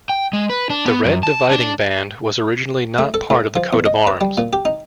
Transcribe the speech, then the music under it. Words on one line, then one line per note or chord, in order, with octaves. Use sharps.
The red dividing band was originally not part of the coat of arms.
G5
G#3
B4
D4
B3
F#2
A5
D4
A3
A4
A2
F3
E2
D#5
B4
G3
A#2
G4
D#4